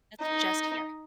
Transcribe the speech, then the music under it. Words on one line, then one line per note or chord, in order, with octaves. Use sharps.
That's just here.
D#4